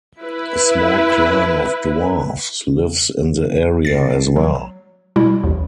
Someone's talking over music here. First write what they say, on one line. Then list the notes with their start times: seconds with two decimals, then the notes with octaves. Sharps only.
A small clan of dwarves lives in the area as well.
0.20 E4 B4
3.85 A6 C7
4.36 F#3
5.16 B2 G3 E4
5.44 A1 D#2